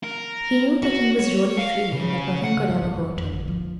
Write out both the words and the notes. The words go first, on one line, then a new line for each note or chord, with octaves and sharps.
He knew that he was really free, and that nothing could ever hurt him.
A#4
F#4
C#5
F5
C#3
F#5
G#2 G3
C3 C4
F#2
F2
G#1
G#2 F3